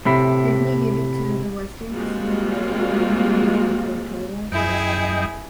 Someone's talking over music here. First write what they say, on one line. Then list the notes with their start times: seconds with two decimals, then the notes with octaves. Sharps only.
Disney gave it to the Western Pacific Railroad Museum in Portola, California.
0.05 A2 C3 E4
1.91 G3 G#3 A#3 C4 F4 F#4
4.52 F#2 E4 G#4 D#5 G5